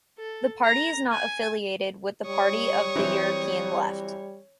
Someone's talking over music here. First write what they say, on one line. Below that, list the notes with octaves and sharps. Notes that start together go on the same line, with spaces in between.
The party is not affiliated with the Party of the European Left.
A4
A#5
G#5
G3 C#5 C#6 D#6
E3 F#3 C4